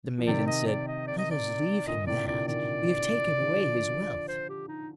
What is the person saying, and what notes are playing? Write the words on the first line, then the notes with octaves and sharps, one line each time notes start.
The Maiden said: 'Let us leave him that; we have taken away his wealth.'
F3
C3 D#3 D5
D#5
D5
D#5
D5
D#5
D5
A#2 D3 D#5
A2 C3 D5
A#2 D3 D5
C3 D#3 D5
D#3
D3 F3
C5
G4
D#4